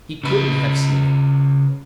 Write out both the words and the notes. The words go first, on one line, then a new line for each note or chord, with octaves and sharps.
He couldn't have seen it ...
C#3 B4